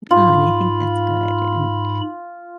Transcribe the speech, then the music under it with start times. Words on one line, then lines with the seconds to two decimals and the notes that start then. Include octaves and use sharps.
Oh, and I think that's good, and,
0.11 G#2 F4 B5